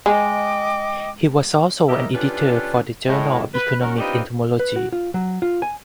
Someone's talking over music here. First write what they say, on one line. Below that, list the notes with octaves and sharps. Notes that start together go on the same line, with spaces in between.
He was also an editor of the "Journal of Economic Entomology".
G#3 D#5 G5 D6
C#3 E3 D#4 G4 A#4 E5
D3 C#4 D4 F4 G4 B4
A2 G#3
B4
D#3 C#4 F#4 A#4
B3 C4 D4 D#4 F4 G4
B4
F#4
F4
F#3
F4
G#5